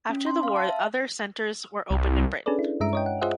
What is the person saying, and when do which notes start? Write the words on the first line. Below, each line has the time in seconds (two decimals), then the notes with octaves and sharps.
After the war other centres were opened in Britain.
0.09 C#4
0.26 C6
0.43 F5
0.56 A5
0.69 E5
1.90 C2
2.46 C#4 D4 G#4 A4 B4 D5
2.59 E4
2.80 G2 G#3 E5 A#5 D7
2.93 C#5 D#5 G5
3.06 F#5
3.22 F4 G#4 C5 D#5 E5 F#5